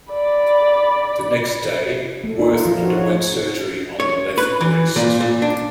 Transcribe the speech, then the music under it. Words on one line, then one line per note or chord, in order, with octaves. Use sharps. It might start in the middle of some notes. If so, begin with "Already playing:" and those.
The next day, Werth underwent surgery on the left wrist.
D5 B5
A3
D#4
F4
F3
F#4
C#5
C#5
B4
E3
A#2
A#2
D4